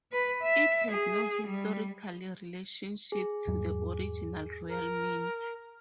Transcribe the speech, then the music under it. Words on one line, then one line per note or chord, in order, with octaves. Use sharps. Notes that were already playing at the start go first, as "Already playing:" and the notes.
It has no historical relationship to the original Royal Mint.
B4
E5
G#4
G3
G#4
E2 G#2 F#3
A#4